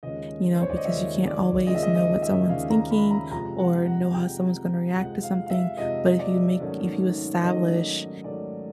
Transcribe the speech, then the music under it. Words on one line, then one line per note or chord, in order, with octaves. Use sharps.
you know, because you can't always know what someone's thinking, or know how someone's gonna react to something, but, if you make if you establish,
D#2 C#3 F3 G#3 C#4 D#5
C5
C#5
D5
D#5
D#2 C#3 F3 G#3 C#4 E5
D5
D#2 C#3 F3 G#3 C#4 D#5
E5
D#5
D#5
E5
D#2 C#3 F3 G#3 C#4 F5
A#5
B5
A#5
F2 C3 F3 G#3 A#5
F#5
F#5
F2 C3 F3 G#3 G5
F2 C3 F3 G#3 F#5
F5
F5
E5
F2 C3 F3 G#3 D#5
D5
G#2 D#3 F#3 A3 C#4
G#2 D#3 F#3 A3 C#4 D#5
G#2 D#3 F#3 A3 C#4 D5